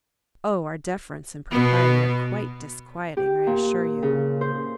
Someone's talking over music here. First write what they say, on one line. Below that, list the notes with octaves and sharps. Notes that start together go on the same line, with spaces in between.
Oh! our deference and propriety are quite disquieting, I assure you.
B2 B3
G4
A#2
C#3
C5